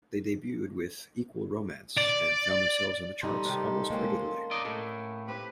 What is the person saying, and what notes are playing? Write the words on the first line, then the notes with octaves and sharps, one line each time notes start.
They debuted with "Equal Romance" and found themselves on the charts almost regularly.
D5
G3 D#4 A4 C6
C3 D#3 G4
G#3 A#3 C4 C#4
A#4 D5 D#5
A2 A4
C4 G4 B4